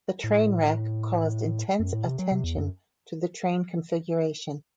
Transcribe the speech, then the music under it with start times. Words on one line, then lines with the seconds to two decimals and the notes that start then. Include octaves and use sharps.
The train wreck caused intense attention to the train configuration.
0.24 A2
1.80 F#2
1.93 A2
2.05 C3
2.19 F#3
2.32 C3
2.44 E2
2.58 F#2